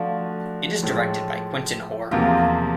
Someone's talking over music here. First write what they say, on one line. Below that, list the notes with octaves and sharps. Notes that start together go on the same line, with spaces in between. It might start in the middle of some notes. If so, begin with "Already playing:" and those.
It is directed by Quintin Hoare.
Already playing: F3 A3 D4 F4 F#4
A2 F3 G#3
E2 C3 F3 A#3 F4